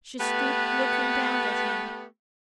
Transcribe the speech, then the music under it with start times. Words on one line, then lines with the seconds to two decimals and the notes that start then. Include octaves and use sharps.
She stood looking down at him.
0.18 A3 B3 G4 B4